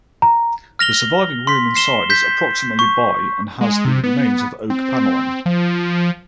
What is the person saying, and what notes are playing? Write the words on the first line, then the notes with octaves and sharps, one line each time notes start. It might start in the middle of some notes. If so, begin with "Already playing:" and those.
The surviving room inside is approximately by and has the remains of oak panelling.
A#5
F6 A#6 F7 G7
C6 B6
C7 E7 G7
G6 B6
C#6
G#3
C3
B3
C4
F3